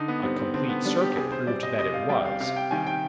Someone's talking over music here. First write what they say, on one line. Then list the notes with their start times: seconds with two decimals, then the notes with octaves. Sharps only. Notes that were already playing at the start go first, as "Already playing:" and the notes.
A complete circuit proved that it was.
Already playing: D3 D#4
0.08 B3
0.23 G3 C4
0.38 C4
0.54 D3 C4
0.69 B3
0.85 G3 D4
1.01 G4
1.16 C3 G#4
1.32 C5
1.47 G3 D5
1.63 D#5
1.78 C3 D#5
1.94 F5
2.09 G3 G5
2.25 F5
2.40 C3 F5
2.56 G5
2.71 D#3 G3 G#5
2.87 G5